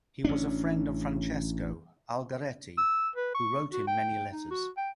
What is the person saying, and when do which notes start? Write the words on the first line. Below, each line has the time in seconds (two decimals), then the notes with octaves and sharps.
He was a friend of Francesco Algarotti, who wrote him many letters.
0.25 A1 C#4 D4
2.78 E6
3.16 B4
3.34 C#6
3.73 F#4
3.87 G5
4.33 D#4
4.51 F#4
4.77 G5